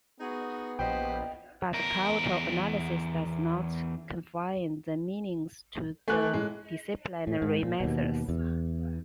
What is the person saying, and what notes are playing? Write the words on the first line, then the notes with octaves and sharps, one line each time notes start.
But cultural analysis does not confine the meanings to the disciplinary methods.
B3 D#4 F#4 G#4
A#1 G4 B4 C5 D#5 G5
E2 A#4
E3 A3 G#5 F#6
A2 G#3
A2
G#2
A#2
D#2 B2
E2